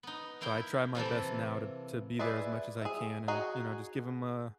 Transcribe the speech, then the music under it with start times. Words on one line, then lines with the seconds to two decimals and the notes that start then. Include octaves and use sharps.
So, I try my best now to to be there as much as I can and, you know, just give him a
0.03 B3 D#4
0.41 A#3 E4 A#4 G5
0.95 C3 E3 A#3 A4
2.19 E4 G#4 B4 D5 E5
2.82 G#4 E5
3.28 D#4 F#4 G#4